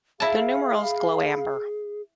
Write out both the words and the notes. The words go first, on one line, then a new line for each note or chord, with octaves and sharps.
The numerals glow amber.
E4 G#4 F5 A5 B5